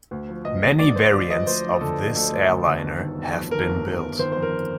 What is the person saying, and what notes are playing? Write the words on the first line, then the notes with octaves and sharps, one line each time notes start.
Many variants of this airliner have been built.
D2
F3
D2 D#5
D3
D2 D5
D2 C5
F3 D5
F3 D#5
D2 C5
F3
D3 A4
F3
D2 A4
D2
D2
D3
G1
D#3
G1
F2
D#3 A#4
G1
G1
G1
D#3 C5
F2 C5
A#4